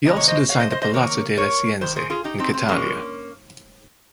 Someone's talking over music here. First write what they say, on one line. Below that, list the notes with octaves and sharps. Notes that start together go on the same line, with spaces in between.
He also designed the Palazzo delle Scienze in Catania.
C3 D#3 G#3 D#5
C#5
C5 D#5
C#5 F5
C5 D#5
C5 D#5
C5 D#5
C3 D#3 A#3 A#4 C#5
A#4 C#5
G2 D#3 C5
G#4 C5
F4 G#4
D#4 G4
C4 D#4
C4
G2 F3 G#3 A#3 C#4